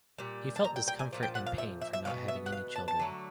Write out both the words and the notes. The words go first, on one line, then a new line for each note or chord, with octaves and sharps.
He felt discomfort and pain for not having any children.
A#2 G3
A5
A#5
G5
G5
G#5
A#2 F3
G5
F#5
F5
E5
E5
E5
B2 F#3 B3 F5
E5
F#5
F5
A5
A5
D3 F#3 A3